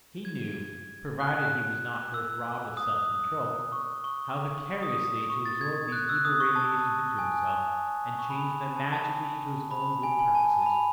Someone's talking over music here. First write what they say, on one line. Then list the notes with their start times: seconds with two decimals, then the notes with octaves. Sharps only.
He knew--provided he was not first robbed of self-control--how vicariously to absorb these evil radiations into himself and change them magically into his own good purposes.
0.25 G#6
1.20 F#6
2.14 E6
2.77 D#6
3.72 C#6
4.04 C#6
4.83 D#6
5.30 C#6
5.45 A6
5.61 G#6
5.92 F#6
6.09 E6
6.25 D#6
6.40 C#6
6.55 A5
7.19 G#5
8.19 C#6
8.30 B5
8.76 A5
8.93 A5
9.71 B5
10.03 G#5
10.19 G#5
10.35 A5
10.66 B5